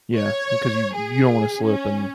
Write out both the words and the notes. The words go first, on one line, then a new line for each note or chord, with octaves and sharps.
Yeah, because you you don't wanna slip and
C#5
G#4
C#4